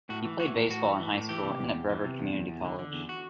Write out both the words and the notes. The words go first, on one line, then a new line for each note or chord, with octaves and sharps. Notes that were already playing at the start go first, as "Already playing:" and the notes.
He played baseball in high school and at Brevard Community College.
A2 F#4
E3
E3 F#4
A2
A2 F#4
E3
E3
A2
E3 G4
C3
E2
E2
E3
C3
E2
E2
E2
D3
D3
E2
F#4